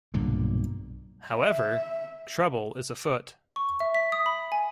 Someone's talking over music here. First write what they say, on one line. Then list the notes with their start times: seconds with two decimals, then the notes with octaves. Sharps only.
However, trouble is afoot.
0.14 B1 G2 A#2 D3
1.39 E5
3.56 C#6
3.80 E5
3.95 B6
4.12 D#6
4.26 B5
4.52 G#5